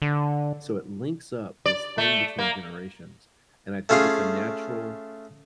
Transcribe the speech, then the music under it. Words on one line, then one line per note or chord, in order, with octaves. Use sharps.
So it links up this thing between generations, and I think it's a natural
D3
D5
A3
A#3
A3 C#4 F4 G#4 F5